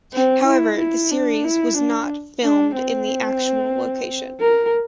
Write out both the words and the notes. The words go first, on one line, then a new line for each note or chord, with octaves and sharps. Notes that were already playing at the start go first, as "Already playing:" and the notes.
However, the series was not filmed in the actual location.
C4
E4
E4
D4
E4
D4
D4
C4
A#4